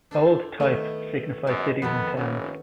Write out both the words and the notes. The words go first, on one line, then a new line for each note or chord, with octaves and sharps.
Bold type signifies cities and towns.
D4 A4 C5
D#3 A3 B3
F#2 G#3 B3
F2 D#3 B3 F#4 A4
F1 C#4